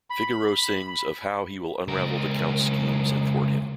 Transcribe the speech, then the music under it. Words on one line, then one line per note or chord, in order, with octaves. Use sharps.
Figaro sings of how he will unravel the count's schemes and thwart him.
B5
C#2 A#4